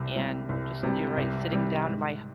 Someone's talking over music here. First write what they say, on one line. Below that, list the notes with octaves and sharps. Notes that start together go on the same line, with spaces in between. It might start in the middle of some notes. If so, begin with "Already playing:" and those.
And just you're right sitting down my
Already playing: C2 C3 G3
C3 G3
C2
C3 G3
C2
C3 G3
G#2